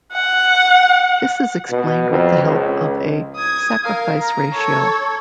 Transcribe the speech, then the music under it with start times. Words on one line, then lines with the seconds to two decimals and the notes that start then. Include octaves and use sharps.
This is explained with the help of a "sacrifice ratio".
0.12 F#5
1.70 B2
2.10 F2
2.43 C#2
3.36 D#6 G#6
3.84 A#4 F5
4.18 A#5
4.54 A4 C#5